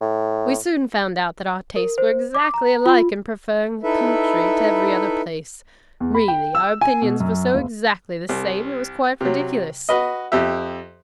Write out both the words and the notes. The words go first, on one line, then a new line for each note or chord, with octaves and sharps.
We soon found out that our tastes were exactly alike in preferring the country to every other place; really, our opinions were so exactly the same, it was quite ridiculous!
A2
A#4
C5
D6
A#5
F4
D#4 E4 A4 B4 E5
E2
B5
G5
E6
G#5
B2
F#2
F#1
C2
C3 F#3
F#4 B4 D#5
F2 G4 E5